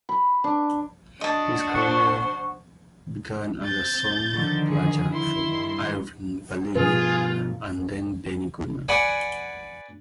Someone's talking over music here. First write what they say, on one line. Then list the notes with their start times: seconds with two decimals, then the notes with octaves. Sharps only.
His career began as a song plugger for Irving Berlin and then Benny Goodman.
0.09 B5
0.44 D4
1.21 D4 F#4 D#5 A5
1.74 C5 F#5 C#6
3.64 C4 G6 A6
4.32 D3 D#3 F3
4.69 G#4
5.12 E4 C6
5.45 G2 D#3
6.75 G2 B2 F3 F4 G#4 B4
8.88 B4 D5 F#5 G#5